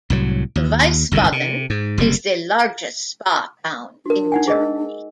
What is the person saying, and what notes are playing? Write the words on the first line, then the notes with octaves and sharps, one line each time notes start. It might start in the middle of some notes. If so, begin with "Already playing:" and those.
Wiesbaden is the largest spa town in Germany.
C2 A2 F#3
D#2
G1 C2 F#2 D#3
C3
G#2
F#1 C3 G3 A#3
D4 F#4 A#4
D#4 F#5 G#5
G#4 D#5 E6